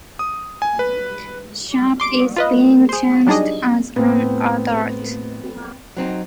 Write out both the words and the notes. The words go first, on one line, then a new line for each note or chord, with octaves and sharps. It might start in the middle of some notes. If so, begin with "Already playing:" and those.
Sharpe is being charged as an adult.
D#6
G#5
B4
C6 D6 D7
F4 B4 D#5
G#4 C5
F#3 G3 D4 D#4 G#4 D#5
A2 B3 C4
F#3 C4 D#4